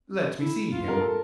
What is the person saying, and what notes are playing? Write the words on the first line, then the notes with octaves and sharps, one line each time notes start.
"Let me see him."
E4
F4
A#4
A4